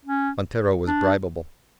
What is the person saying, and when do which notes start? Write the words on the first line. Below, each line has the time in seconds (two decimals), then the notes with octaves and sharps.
Montero was bribeable.
0.05 C#4
0.87 D4